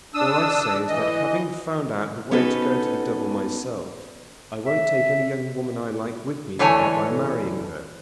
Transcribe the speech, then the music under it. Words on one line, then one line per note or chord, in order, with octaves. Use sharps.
All I say is that having found out the way to go to the devil myself, I won't take any young woman I like with me there by marrying her.
D4 D#6 E6
E3 D#5
B3 C#4 D#4 F#4 A4 B4
E5
D3 E3 A3 C#5 G#5